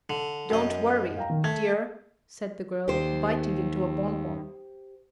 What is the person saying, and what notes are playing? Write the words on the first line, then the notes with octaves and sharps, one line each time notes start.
"Don't worry, dear," said the girl, biting into a bonbon.
D3
F#2 D#5
F5 G5 A#5
D#3
A3 G#6
D#2 G4 C5